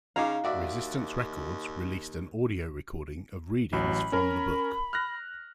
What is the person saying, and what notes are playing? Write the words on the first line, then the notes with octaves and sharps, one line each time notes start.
Resistance Records released an audio recording of readings from the book.
C#3 D#4 G#4 F5 A#5 D6
D#2 F#4 D5 E5
A1 F#3 B5
C#4 A#4
F6 F#6 A#6